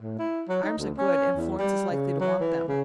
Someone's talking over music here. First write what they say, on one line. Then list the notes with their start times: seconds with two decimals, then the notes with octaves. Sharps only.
Arms are good, and Florence is likely to want them.
0.01 A2
0.19 E4
0.49 F#3
0.63 D#4
0.78 D2
0.98 C#4
1.37 E2
1.59 G3
1.91 C#3
2.20 F#3
2.40 E3
2.69 C#3